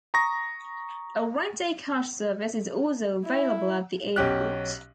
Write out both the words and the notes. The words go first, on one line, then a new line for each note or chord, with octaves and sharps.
A Rent-a-Car service is also available at the airport.
A#5 C#6 D#6 A#6
E4
B1 C#4 G4 F#6